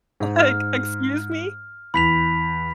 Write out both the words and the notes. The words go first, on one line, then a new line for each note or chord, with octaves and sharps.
Like, excuse me?
G#2
F6
E2 B5 B6 F7